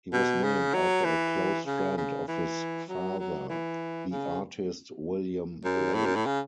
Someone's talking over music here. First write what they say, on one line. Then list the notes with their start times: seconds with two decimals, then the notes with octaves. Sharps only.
He was named after a close friend of his father, the artist William Blake.
0.13 B2
0.44 C#3
0.74 F#3
1.05 E3
1.67 C#3
1.97 C#3
2.28 E3
2.89 F#3
3.19 F#3
3.49 E3
4.11 C#3
5.64 F#2
5.95 A2
6.05 F#2
6.16 A2
6.26 C#3